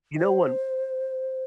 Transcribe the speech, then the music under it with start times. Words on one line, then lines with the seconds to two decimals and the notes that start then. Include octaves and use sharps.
You know, one
0.20 C5